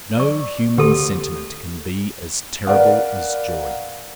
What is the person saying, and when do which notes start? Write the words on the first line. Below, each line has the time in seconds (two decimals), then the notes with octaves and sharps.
No human sentiment can be as terrible as joy.
0.17 D5 C#6
0.78 D2 G4 A4 C6
2.67 A#4 B4 D5 F5 F#5